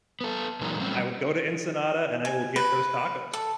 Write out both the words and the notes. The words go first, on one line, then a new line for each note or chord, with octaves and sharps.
I will go to Ensenada, and I will get those tacos.
B3 A4
A#2 E3 F#3 G#3 D#4 A#4
F#3 G3 A3 C4 C#4
G#5
B4
A4